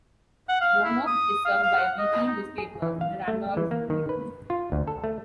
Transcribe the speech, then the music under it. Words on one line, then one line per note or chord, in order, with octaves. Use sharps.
Roanoke is served by a weekly newspaper, "The Randolph Leader".
F#5
F5
E4
D#6
F5
F5
F#5
D#5
D#4
G#4
E3
F5
A3
E3
A#3
D#3
B4
F4
D2
A4
A3